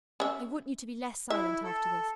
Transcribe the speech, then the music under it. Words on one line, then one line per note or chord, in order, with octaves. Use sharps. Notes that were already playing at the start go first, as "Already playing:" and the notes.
I want you to be less silent after this.
C#4 E5
E4 E5
A4